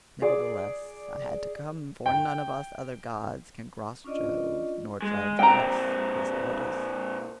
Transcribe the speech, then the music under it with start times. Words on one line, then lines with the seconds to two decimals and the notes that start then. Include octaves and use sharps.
Nevertheless I had to come, for none of us other gods can cross Jove, nor transgress his orders.
0.22 G#4 D5
2.06 G5
4.04 C#4 D4 F4 D5 D#5
5.02 G#3
5.39 A#2 C4 G5 A#5